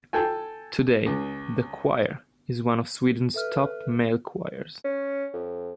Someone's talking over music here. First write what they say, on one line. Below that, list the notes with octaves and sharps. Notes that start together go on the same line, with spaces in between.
Today, the choir is one of Sweden's top male choirs.
A4 G5 G#5
C#2
A4 B4 E5 F6
C#4
F2